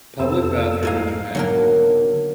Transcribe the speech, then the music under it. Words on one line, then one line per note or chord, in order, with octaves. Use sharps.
public bathroom in Japan.
F2 C3 B3 A4 C5 E6
G#2 G#3 E4 F5 G#5 A#5
B1 D3 F#3 A#3 A#4